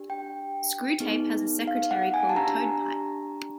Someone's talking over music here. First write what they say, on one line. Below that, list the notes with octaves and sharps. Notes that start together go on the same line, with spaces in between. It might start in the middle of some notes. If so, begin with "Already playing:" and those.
Screwtape has a secretary called Toadpipe.
Already playing: D4 G4
G5
B3 D#4 G#4
F5
F#5
G#5
A5
D4 G4 A#5